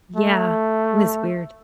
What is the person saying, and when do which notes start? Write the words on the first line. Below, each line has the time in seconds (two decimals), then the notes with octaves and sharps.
Yeah. It was weird.
0.16 A3